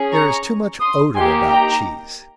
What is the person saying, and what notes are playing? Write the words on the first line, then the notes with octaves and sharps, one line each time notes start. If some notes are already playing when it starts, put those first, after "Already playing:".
There is too much odour about cheese.
Already playing: C#4 G#4
A#5 C#6
C6 D#6
A#3 D#4 G4 G#5 C6
G5 A#5